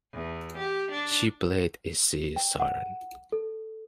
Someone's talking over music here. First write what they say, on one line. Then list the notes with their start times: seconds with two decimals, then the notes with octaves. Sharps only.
She played a Sea Siren.
0.13 E2
0.57 G4
0.92 D4
2.36 G5
2.60 F#5
3.32 A4